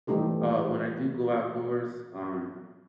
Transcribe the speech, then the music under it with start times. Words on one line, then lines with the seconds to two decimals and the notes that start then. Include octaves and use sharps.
uh, when I do go outdoors, um,
0.07 E3 G3 A3 D#4 G4 A4